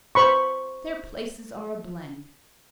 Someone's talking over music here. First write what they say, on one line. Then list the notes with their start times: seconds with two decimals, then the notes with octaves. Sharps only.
Their places are a blank.
0.15 C5 B5 C#6